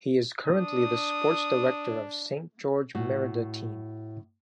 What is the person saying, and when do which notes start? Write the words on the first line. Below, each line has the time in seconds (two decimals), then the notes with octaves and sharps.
He is currently the sports director of St George Merida Team.
0.44 D4 D#6
2.95 A2 F#4